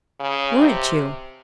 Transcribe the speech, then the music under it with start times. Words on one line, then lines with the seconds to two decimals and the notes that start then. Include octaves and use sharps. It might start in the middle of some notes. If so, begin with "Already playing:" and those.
Weren't you?
0.20 C#3
0.57 C3